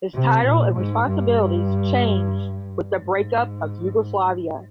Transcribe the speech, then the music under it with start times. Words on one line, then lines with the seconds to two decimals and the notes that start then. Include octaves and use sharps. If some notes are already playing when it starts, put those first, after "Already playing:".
His title and responsibilities changed with the breakup of Yugoslavia.
0.14 C3
0.46 A#2
0.77 G#2
1.08 G2
2.95 G#2